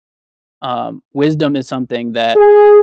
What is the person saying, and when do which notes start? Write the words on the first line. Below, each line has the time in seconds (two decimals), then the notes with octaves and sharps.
Um, wisdom is something that
2.36 G#4